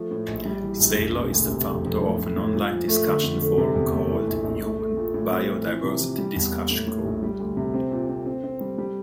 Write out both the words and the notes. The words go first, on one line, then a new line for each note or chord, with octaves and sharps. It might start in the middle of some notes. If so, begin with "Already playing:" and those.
Sailer is the founder of an online discussion forum called "Human Biodiversity Discussion Group".
Already playing: F3 A3
A2
A#1
G3
E3
A#1
E1
E1
D2
C3
F2
F2
A2
A2
A2
A#2
F3
A3
D3
F2
D3
C3
E2
A3
E3
A#1
A#1
A3
A3
A#2
A2
C4
F3
E3
C3
E3
G3
E2
A#3
A2
A2
A#1
G3
D2
C3
C4
A#2
C4
C4
C4
G3
G3